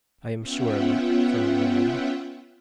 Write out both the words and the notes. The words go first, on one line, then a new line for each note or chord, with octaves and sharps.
I am sure of it, from your manner.
B3 C#4 F4 E5 F#5 G5